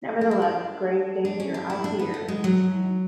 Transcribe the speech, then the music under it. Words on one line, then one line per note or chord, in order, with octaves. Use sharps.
Nevertheless, grave danger I fear in his training.
D4
E4
D4
D4
C#4
D4
E4
D4
B3
A3
G#3
F#3